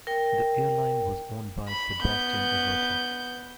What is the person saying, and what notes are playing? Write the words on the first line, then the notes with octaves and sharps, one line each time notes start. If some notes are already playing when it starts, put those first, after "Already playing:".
The airline was owned by Sebastian Agote.
A#4 G5
B5
B3 G6